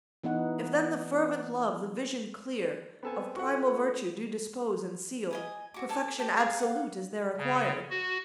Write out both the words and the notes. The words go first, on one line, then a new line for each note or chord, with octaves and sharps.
If then the fervent Love, the Vision clear, Of primal Virtue do dispose and seal, Perfection absolute is there acquired.
E3 B3 D#4 F#5
B3 C4 A4 G#5
F2 F#4 F#5 C#6
D#5 G#5 D#6
F#4 D6
A4 D5 G#5 A5
G4 A5
G#4 F5 G#5
F5 F#5
C#3
F#4